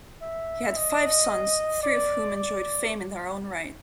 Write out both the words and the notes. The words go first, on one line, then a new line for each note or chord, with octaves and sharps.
He had five sons, three of whom enjoyed fame in their own right.
E5
D#5
D5
D5